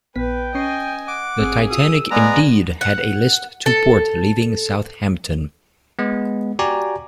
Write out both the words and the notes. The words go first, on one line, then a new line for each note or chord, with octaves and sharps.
The "Titanic" indeed had a list to port leaving Southampton.
A#1 B3 B4 G5 B6
C#4 D#5 G#5 C#6 C7
F#5 D6
G#1 C4 G#4 E6
F4 F#4 D#6 E6
G#3 B3 D5 G#5 A#5
F#5
A4
G#3 B3
F#4 G4 D5 G#5 A#5 D6